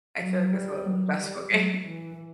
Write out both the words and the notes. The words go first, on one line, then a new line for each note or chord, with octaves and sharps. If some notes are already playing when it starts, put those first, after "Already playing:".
I feel like it's a little stressful game.
F#3
G3
F#3
G3
F#3
E3